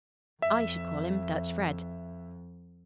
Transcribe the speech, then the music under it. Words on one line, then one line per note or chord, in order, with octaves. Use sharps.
"I should call him Dutch Fred."
F2 E5